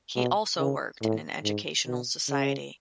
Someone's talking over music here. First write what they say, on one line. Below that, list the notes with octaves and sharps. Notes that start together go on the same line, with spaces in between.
He also worked in an educational society.
B2
C#3
A2
G#2
B2
C#3